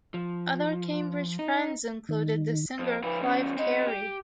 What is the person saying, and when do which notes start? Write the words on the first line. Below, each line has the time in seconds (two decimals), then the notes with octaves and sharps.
Other Cambridge friends included the singer Clive Carey.
0.14 F3
1.39 D#4
2.09 D#3
2.79 F2
3.03 F3 B4
3.22 E2 C#4
3.57 C4 D#5
3.87 G4